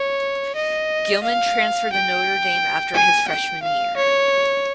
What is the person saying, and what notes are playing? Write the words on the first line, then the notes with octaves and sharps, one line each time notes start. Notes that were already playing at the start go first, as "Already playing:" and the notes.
Gilman transferred to Notre Dame after his freshman year.
Already playing: C#5
D#5
F5
G5
G#5
G5
F5
C#5